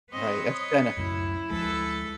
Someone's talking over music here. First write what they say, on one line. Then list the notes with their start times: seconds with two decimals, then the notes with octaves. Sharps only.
right, that's kinda
0.12 C4 B4 C#5 D#5
0.50 D#5
0.97 C#2 F#2 A2 E4
1.51 D2 F3 G#3 A4 B4